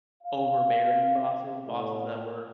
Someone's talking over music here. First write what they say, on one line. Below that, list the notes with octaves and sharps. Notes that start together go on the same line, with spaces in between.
overbearing bosses. Bosses that were
F5
A2